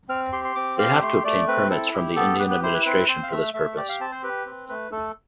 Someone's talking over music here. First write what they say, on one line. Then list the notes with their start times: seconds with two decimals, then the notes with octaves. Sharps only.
They have to obtain permits from the Indian administration for this purpose.
0.09 C4 F6
0.33 G4 C6
0.44 C6
0.55 C4 D6
0.78 G4 F5
1.02 A3 C6
1.24 A3 D5
1.48 C4 B4
1.70 E4 A4
1.94 G4
2.16 B3 A4
2.39 G4 B4
2.50 B4
2.63 E4 C5
2.74 B4
2.86 C4 B4
3.08 C4 C5
3.23 F5
3.32 A3 E5
3.54 A3 E5
3.77 G4 D5
3.89 F5
4.00 C4 A5
4.12 C5
4.23 G4 B4
4.46 C4
4.69 A3 B4
4.92 A3 A4